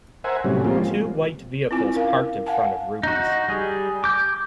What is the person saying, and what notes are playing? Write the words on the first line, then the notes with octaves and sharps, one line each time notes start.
Two white vehicles parked in front of Ruby 's.
A#4 C5 E5 F#5 G#5
A2 C3 F#3 G3 C#4
F3 G3 G#3 A#3 C4 F4
C4 E4 F4 G#5
C#4 A#4 F5
F5 F#5 G#5 A5
D#4 F#4
G3 G#4
D6 G6